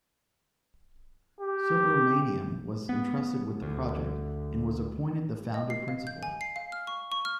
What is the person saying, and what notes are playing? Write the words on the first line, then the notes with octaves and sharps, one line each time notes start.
Subhramanyam was entrusted with the project and was appointed the founder principal.
G4
B3
D2
D#5
C7
F5
G6
G#5
C7
F5
F6
C#6
C#6
F6